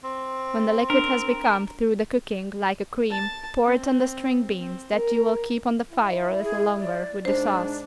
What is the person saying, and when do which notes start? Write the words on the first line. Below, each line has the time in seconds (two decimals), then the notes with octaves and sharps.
When the liquid has become, through the cooking, like a cream, pour it on the string beans that you will keep on the fire a little longer, with the sauce.
0.03 C4
0.90 D4 A#4
3.10 A5
3.64 C4
4.60 C4
4.93 A#4
5.91 E4
6.43 G#4
6.77 D5
7.25 G#2 D4 C5